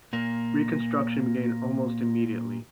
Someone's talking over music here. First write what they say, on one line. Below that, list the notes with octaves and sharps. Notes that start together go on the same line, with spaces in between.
Reconstruction began almost immediately.
A#2 A#3